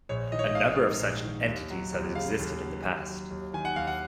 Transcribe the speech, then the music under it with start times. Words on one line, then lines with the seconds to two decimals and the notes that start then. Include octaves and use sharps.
A number of such entities have existed in the past.
0.09 A#1 C#5
0.32 D#3 D#5
0.39 C#5
0.46 D#5
0.55 A#1 F5
0.78 G#2
1.01 A#1
1.24 D#3
1.46 D#2
1.70 F#3
1.93 D#2
2.15 C#3 F5
2.39 D#2
2.62 F#3
2.85 D#2
3.08 F#3
3.30 D#2
3.53 D#3 G#5
3.65 F#5
3.76 D#2 F5
3.87 F#5